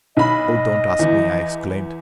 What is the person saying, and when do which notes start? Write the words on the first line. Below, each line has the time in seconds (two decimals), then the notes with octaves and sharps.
"Oh, don't ask me!" I exclaimed.
0.17 B1 D#5 B5
0.99 E2 E3